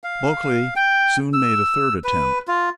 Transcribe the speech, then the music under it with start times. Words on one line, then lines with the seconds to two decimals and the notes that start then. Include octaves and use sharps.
Bulkeley soon made a third attempt.
0.04 F5
0.76 G5
1.33 E6
2.04 B4
2.48 F4